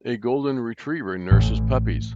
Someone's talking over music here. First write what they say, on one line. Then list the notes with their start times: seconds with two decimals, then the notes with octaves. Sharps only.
A golden retriever nurses puppies.
1.32 A1